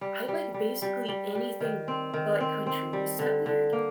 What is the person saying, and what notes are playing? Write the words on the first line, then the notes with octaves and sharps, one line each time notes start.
I like basically anything but country. Is that weird?
G3
G3
G3
G3
G3
G3
D#3
C4
D#3
C4
C4
G3
D3
D3
A#3